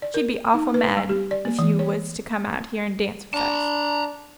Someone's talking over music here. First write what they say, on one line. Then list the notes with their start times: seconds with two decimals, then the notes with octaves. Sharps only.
"She'd be awful mad if you was to come out here and dance with us."
0.02 D5
0.14 A#4
0.54 D#4
0.74 B4
0.97 G3
1.09 G4
1.31 D5
1.45 A#3
1.59 E3
1.79 C#5
3.34 D4 A5 A#5